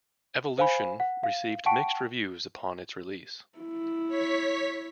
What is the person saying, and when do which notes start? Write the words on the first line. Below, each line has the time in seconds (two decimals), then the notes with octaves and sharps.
"Evolution" received mixed reviews upon its release.
0.58 C5 F5 G#5 B5
1.00 F#5
1.23 F5
1.66 F#5 G5 A5 C#6 D7
3.59 E4
4.08 C#5 B6